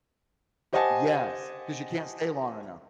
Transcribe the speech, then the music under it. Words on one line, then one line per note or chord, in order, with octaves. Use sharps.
Yes, 'cause you can't stay long enough.
G4 C5 D#5 F#5 G#5 A5